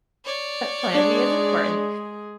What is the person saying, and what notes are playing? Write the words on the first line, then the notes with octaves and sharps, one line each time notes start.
plan B is important,
C#5 D5
G#3 D4 G#4